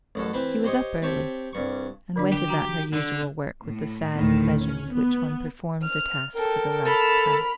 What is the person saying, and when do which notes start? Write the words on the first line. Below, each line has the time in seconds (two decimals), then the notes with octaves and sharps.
She was up early, and went about her usual work with the sad pleasure with which one performs a task for the last time.
0.15 A1 F#2 A4
0.34 E3 C4 E4
0.64 G4 C5 C#5 D#5
1.02 C4 G4 C#5 E5 A5
1.53 C2 G2 C#6
2.16 D3 F#3 D4
2.32 G4
2.48 F#4 A#5 D6
2.93 D3
3.67 A2
4.15 D2 A2 D#3
4.58 C#4
4.93 B3
5.83 F6
6.34 A4 A#4 G5
6.87 A4 B5 F7